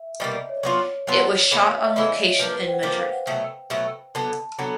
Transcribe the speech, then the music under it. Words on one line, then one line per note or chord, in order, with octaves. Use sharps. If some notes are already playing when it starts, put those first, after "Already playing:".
It was shot on location in Madrid.
Already playing: E5
B2 G3 A#3 D#5
D5
C#5
D5
F#3 B3 D4 F4 C#5
F#3 B3 D4 F4 C#5
E3 G#3 B3 E4
F5
E5
D#5
E3 G#3 B3 E4 D5
D#5
D5
C#5
F3 A#3 D4 B4
B4
C5
G5
F#5
F3 A#3 D4 G5
F5
F#5
B2 F#3 A3 G5
B2 F#3 A3
D3 F#3 B3 A5
D3 F#3 B3 A#5